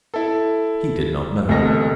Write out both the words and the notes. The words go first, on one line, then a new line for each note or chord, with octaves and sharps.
He did not know.
E4 A4
E1 D2 C3 A4 D#5 A#6